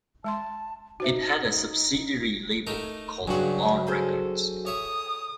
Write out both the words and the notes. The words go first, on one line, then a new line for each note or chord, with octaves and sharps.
It had a subsidiary label called Lawn Records.
G#3 E5 A5 C6
D#4 F#4 C5 E5
A3 D#4 A#4
G2 C#3 F#3 G#3 D4 F#4 G#5
G#4 A4 C5
C#5 E5 D#6